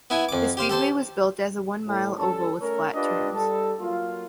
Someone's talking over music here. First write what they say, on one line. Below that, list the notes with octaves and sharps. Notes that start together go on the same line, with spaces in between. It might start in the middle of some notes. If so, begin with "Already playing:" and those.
The speedway was built as a one-mile oval with flat turns.
B3 E4 G#5
F2 D6
G4 C5 F5
G4 A4 C5
A2
G3 C#4 A4
A3 C#4 A#4 C#5
D4 F4 G4 B4 D#5
G3 A4
F#3 A#3 F4